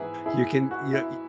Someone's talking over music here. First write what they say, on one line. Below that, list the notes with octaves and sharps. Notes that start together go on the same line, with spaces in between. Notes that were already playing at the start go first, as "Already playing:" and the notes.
you can, you know y
Already playing: G#2 E3 B3 E4 G#4
E4 G#4
F#4
E4